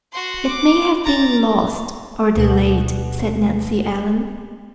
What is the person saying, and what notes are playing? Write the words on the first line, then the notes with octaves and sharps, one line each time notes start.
"It may have been lost or delayed," said Nancy Ellen.
F#4 C6
D6
A#5 A6
D2 B2 F#5